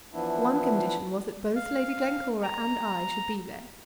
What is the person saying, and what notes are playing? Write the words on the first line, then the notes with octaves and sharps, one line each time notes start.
One condition was that both Lady Glencora and I should be there.
E3 F3 B3 D4 E4
F5
A#5